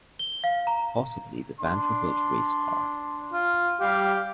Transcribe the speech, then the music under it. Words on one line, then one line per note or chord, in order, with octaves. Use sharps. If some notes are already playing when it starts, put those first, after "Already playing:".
Possibly the Vanderbilt race car.
G7
F5
A#5
D4 C6
F4
G3 G4 F5